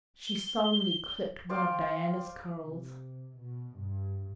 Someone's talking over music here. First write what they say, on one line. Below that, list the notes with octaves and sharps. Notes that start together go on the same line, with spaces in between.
She solemnly clipped one of Diana's curls.
G7
C5 D5 F5 G5
C3
B2
G2